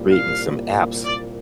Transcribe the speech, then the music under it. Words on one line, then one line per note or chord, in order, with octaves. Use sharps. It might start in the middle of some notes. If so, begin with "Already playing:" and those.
creating some apps
Already playing: C2 A#2 G3 A#3
F5
D5